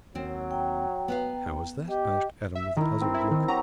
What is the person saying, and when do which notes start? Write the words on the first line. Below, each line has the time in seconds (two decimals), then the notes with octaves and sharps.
"How is that?" asked Adam with a puzzled look.
0.15 D#2 F#3 C4
0.51 G5 A#5
1.08 B3 B4 F5
1.89 G4 D#5 G5
2.55 E5
2.77 D#3 E4 A#4
3.01 C4
3.14 E4
3.31 D#3
3.48 F#3 G4 A#5